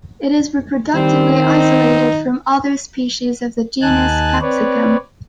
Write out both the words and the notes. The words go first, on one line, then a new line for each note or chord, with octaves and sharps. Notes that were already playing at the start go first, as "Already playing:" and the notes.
It is reproductively isolated from other species of the genus "Capsicum".
D#3 G3 C4
D#4
D#2 D#4 G#5 A5 F#6
C4 B4 C#5 D5